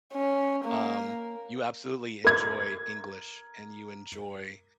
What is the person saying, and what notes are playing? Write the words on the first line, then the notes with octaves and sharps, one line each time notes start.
um, you absolutely enjoy English and you enjoy,
C#4
A#3
A#4 G#6